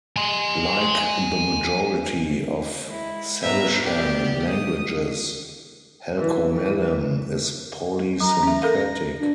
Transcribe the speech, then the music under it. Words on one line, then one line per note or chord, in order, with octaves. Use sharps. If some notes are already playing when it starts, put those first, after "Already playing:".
Like the majority of Salishan languages, Halkomelem is polysynthetic.
G#5 C6
G#3 E4
G#2 B2 B4 E5 A#5
B3 G4 D5
D#6
E3
E3
F#3 A#5
C#4 E5
A4 A#4 F5 A#6
D4